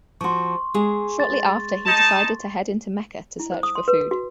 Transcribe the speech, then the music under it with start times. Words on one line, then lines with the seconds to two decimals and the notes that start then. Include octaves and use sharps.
Shortly after He decided to head into Mecca to search for food.
0.21 F3 F#4 C6 C#6
0.74 G#3 G#4
1.20 A6
1.86 D#4 A5
3.40 E4
3.52 C5
3.63 D#6
3.75 C6
3.88 B4
4.11 F#4